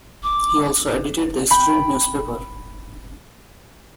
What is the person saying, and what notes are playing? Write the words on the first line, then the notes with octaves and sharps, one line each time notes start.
He also edited the student newspaper.
D6
G5 B5